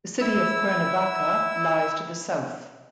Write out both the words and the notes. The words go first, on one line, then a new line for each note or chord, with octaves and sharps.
The city of Cuernavaca lies to the south.
E4 E6